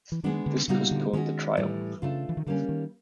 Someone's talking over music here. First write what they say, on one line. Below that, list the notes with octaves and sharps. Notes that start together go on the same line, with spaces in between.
This postponed the trial.
E3
D#3 G#3 B3 D4
D3
A#2 C#3 G3 B3 D#4 F#4
D3
D#3 G#3 C#4 F#4
A2 E3 G3
C#3 A3 D4 F4
E3
D#3
D3 G3 A#3 C#4
D#3